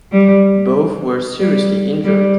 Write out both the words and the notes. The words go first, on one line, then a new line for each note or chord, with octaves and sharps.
Both were seriously injured.
G3
G3
G3